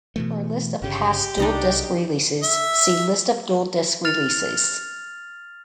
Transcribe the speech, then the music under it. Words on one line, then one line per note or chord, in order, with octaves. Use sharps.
For a list of past DualDisc releases, see "List of DualDisc releases".
B2 E3 A3
G1 C#3 G4
C2 D4 D#4 D#5
E5
F6 A6 F7